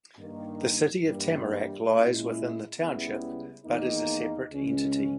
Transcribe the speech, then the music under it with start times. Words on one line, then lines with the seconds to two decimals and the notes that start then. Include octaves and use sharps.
The city of Tamarack lies within the township but is a separate entity.
0.18 G2 D#3 A#3
1.04 G2 E3 G3 A#3
1.91 A#2 G#3 C#4 E4
2.79 C#2 C#3 G3 B3 E4
3.66 E2 D#3 A#3 D#4
4.51 C#2 C#3 G#3 C#4